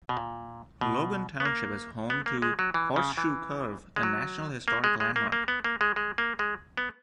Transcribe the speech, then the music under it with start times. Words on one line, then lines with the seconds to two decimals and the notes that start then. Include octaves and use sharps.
Logan Township is home to Horseshoe Curve, a National Historic Landmark.
0.09 B2
0.17 A#2
0.81 B2
1.40 B3
1.45 A#3
2.10 B3
2.26 A#3
2.42 G#3
2.59 F#3
2.74 E3
2.96 C#3
3.17 E3
3.96 G#3
4.03 F#3
4.68 A#3
4.84 G#3
5.00 G#3
5.16 A#3
5.32 A#3
5.48 B3
5.64 A#3
5.81 G#3
5.96 G#3
6.18 A#3
6.39 G#3
6.77 B3